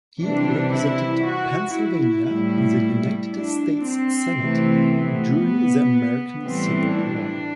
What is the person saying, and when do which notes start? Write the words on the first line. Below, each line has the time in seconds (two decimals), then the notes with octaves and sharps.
He represented Pennsylvania in the United States Senate during the American Civil War.
0.21 C3 E3 G3 D4
0.72 E4
1.25 F#4
1.77 E4
2.28 A2 G3
3.33 D4
3.84 C4
4.36 C3 E3 A3
4.88 B3
6.44 A2 E3 G3 C4
6.97 D4